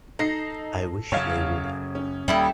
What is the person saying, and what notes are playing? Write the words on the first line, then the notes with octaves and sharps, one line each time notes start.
I wish they would.
D#4 A4 A#6 C7
F#2 C#3 C#5 F5
C#4
D#2 G3 E4 A4